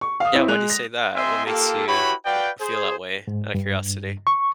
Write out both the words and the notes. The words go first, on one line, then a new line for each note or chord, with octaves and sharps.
yeah, why do you say that? What makes you, eh, feel that way out of curiosity?
C#6
F5 D#6
C4 E4 C#5 E5
G#3 F#6 F7
A#6
C4 D#5 E5 G#5 C6
A#3 F4 G4 A4
E4 F#4 G4 B4 C#5 B5
F#4 B4 D5 F5 G5
G#4 C5
G#2
G2
C#6